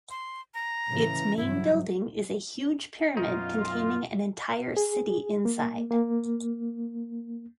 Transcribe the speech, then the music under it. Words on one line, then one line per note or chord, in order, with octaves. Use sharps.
Its main building is a huge pyramid containing an entire city inside.
C6
A#5
A2 C#3 E3
G2 F#3 E4
F#2 B2 D#4 F4
G#4
A#3
A#3